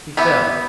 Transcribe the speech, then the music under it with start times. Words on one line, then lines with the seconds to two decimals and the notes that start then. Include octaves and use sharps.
He fell.
0.17 B3 E4 G4